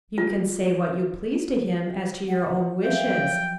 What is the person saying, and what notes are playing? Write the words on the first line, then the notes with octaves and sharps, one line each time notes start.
You can say what you please to him as to your own wishes.
F4
F#5
F3 F#3 E5 F5 G5